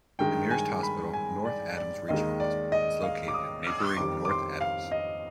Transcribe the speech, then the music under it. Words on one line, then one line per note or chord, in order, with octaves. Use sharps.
The nearest hospital, North Adams Regional Hospital, is located in neighboring North Adams.
G2 D#3 G#3 G5
G#5
B5
G#5
D5
D5
D#2 D#3 G#3 D#5
D5
D#5
F5
D6
D#6
D6
F2 D#3 G3 D6
D6
C6
F5
D#5